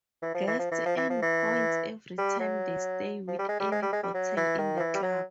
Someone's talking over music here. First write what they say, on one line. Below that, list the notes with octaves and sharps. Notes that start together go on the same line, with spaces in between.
Guests earn points every time they stay with any hotel in the club.
E3
F3
E3
F3
E3
F3
E3
F3
E3
G3
F#3
F3
G3
G#3
G3
G#3
G3
G#3
G3
F#3
E3
D#3
F3
E3
G3
F#3